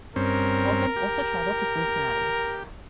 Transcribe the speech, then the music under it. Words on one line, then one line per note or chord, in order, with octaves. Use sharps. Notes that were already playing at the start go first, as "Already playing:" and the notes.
Colton also traveled to Cincinnati.
G2 C4 C#4 A#4
G4